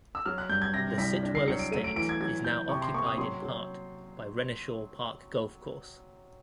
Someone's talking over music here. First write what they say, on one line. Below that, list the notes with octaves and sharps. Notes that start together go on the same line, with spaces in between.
The Sitwell estate is now occupied in part by Renishaw Park Golf course.
E6
F#3 F6
F#6
G2 G6
G#6
C3 A#6
C2 B6
D4
C7
F#3 C#7
D7
A3 D#7
D7
E3 D7
G#6
F#3 G#6
F#3 G6
C3 C#6
C6
A#3 C#6
D#6
F#3 C6
F#3